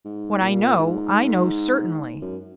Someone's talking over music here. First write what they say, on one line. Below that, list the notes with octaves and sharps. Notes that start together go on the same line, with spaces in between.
What I know, I know certainly.
G#2
A#2
G#2
F#2